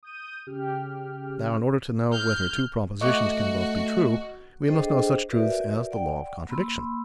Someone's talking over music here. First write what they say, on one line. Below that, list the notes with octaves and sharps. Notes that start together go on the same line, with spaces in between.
Now in order to know whether two propositions can both be true, we must know such truths as the law of contradiction.
D#6 G6 D#7
C#3 G4 G5 F6
F6 G6
A3 F#4 D#5 C#6 D6 F#6
D4 G#4 A4 C5 D#5 G5
F#4 G4 A#4 B4 D5 E5
D5 F#5 G5
A#3 B5 C6 E6